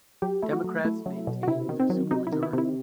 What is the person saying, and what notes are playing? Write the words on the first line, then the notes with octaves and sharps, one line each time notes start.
Democrats maintained their supermajority.
F#3 G4
A3 E4
F#4
F#3
A3 E4
F#3
B2
F#4
C3 E4
D#3
C4
F#3
C3 D#4
E4
D#3
E4
C3 E4